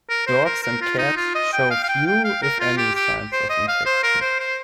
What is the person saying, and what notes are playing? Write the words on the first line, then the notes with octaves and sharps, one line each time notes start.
Dogs and cats show few if any signs of infection.
A#4
C5
A#4
A#4
F4
D#4
F4
D#5
G5
F5
F5
G5
G5
F5
A#4
F4
G4
G4
C5
D#5
F5
C5
A#4
C5
C5